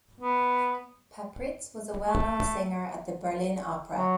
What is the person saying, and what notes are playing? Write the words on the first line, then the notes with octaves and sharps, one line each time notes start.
Pappritz was a well-known singer at the Berlin Opera.
B3
A3
F#3